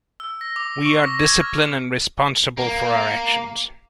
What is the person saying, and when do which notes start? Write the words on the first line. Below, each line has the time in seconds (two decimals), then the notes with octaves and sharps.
We are discipline and responsible for our actions.
0.20 E6
0.41 A#6
0.56 D6
0.85 C#6
1.04 A#6
1.19 G#6
1.42 F6
2.58 A#3